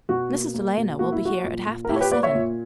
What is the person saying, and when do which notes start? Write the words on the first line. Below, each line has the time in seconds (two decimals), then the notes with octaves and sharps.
Mrs. Delano will be here at half past seven.
0.09 B2 F#4
0.32 A#3
0.54 A#3
0.77 B2
0.99 A#3 F#4
1.12 E4
1.22 A#3 F#4
1.44 A#2
1.67 A#2
1.85 A#4
1.89 A#2 E4 G4
1.96 C#5
2.01 G4 B4
2.11 A#3 B4 D5
2.23 C#5 E5
2.35 A#2